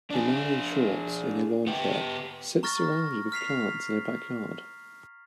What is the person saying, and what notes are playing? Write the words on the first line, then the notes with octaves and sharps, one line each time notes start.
A man in shorts in a lawn chair sits surrounded with plants in a backyard.
D4 G#4
B3 G4
A#5 C#6 F6 A6 A#6
F6 B6 C7 F7